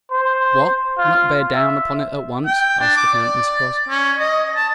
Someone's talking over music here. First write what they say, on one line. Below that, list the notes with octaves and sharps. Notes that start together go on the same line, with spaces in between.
"What! not bear down upon it at once?" asked the count in surprise.
C5
F4
E5
G5
D4
D6
D5
C#4
D#5
A5